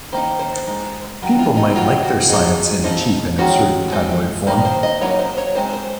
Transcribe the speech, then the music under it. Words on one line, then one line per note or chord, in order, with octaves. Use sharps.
People might like their science in cheap and absurd tabloid form.
D#3 A#3 D#4 C5
C5
G#3 D#4
D#3 F#3
F4
D#4
D#3 F#3 C4 D#4 F4
F#4
F#3 C4 D#4 G#4
F3 C4 D#4
D#3 G#3 C#4 F#4
G#3 C4 D#4
D#3 A#3 D#4 C5
C5
D#5
F#3 A#3 D#4 C#5
C5
C#5
G#3 C4 D#4 C5
C5